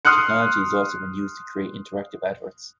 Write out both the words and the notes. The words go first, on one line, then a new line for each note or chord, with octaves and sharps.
Technology has also been used to create interactive adverts.
C6 D#6 F6 F#6 C#7